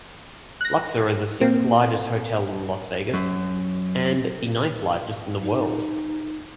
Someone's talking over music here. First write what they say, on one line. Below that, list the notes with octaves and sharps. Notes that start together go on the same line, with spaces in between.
Luxor is the sixth-largest hotel in Las Vegas and the ninth-largest in the world.
F#6 A#6
A#2 A#3 C4
F#2
D#4